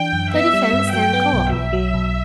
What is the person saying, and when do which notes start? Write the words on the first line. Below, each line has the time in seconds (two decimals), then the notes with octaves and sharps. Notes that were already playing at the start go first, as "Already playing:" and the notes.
The defense then called me.
Already playing: E3 D4 G5
0.13 F#2
0.33 B3 E5
0.53 G3
0.73 G2
0.93 F#3 G5
1.13 B3
1.34 B1
1.53 B1 E5
1.73 F#3
1.94 B1